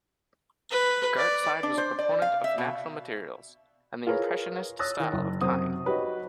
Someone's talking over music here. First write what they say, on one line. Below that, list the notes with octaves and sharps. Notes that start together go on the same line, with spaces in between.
Gartside was a proponent of natural materials and the impressionist style of tying.
B4
D5
D4
C5
D5
F5
E5
B2
F4 G#4 A#4 B4 C#5
C#5 D#6 E6 F#6 A6 A#6
D#3
F#1
F#2 C3 C5 F#5 D#6
D#4 F#4 G4 B4 C#5